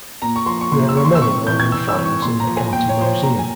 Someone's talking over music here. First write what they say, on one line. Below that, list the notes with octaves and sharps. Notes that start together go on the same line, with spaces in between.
There are many Roman finds in the County Museum.
A#2 A#5
C#6
F3 C6
C#6
A#2 C6
E6
F3 C#6
C6
E6
C3 C#6
E3 G6
G#6
C3 E6
E6
E3
C#6
A#2 C6
A#5
F3
G#5
A#2 G5
C#5
F3 C5
C#5
A#2 A#5
G#5